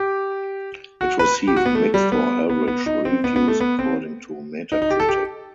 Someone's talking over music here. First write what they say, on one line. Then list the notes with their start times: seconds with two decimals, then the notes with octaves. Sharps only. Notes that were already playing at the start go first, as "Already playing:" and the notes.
It received "mixed or average" reviews according to Metacritic.
Already playing: G4
1.01 F#4
1.19 B4
1.47 G4
1.57 F#4
1.66 B3
1.75 A3
1.94 G3
2.12 B3
2.49 B3
2.68 B3
2.86 D#4
3.05 C4
3.24 B3
3.36 B3
3.48 A3
3.60 B3
3.79 C4
4.72 D#4
4.82 D#4
4.90 G4
5.00 A4
5.08 G4